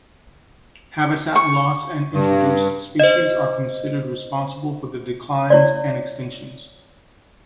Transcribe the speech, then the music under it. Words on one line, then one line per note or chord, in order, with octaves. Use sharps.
Habitat loss and introduced species are considered responsible for the declines and extinctions.
C#6
G2
C5 D#5
E4 C#5 D5